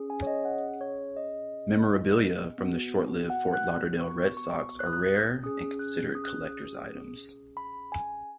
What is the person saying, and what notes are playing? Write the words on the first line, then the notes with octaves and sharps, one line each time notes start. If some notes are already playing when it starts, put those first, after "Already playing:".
Memorabilia from the short-lived Fort Lauderdale Red Sox are rare and considered collectors' items.
Already playing: C#4 G#4
G#5
C#5
D#5
F#5
C#5
D#5
B3 F#4
F#5
F#6
C#6
C#6
F#6
D#6
F#6
C#4 G#4 D#6
F#6
D#6
F#6
D#6
B5
G#5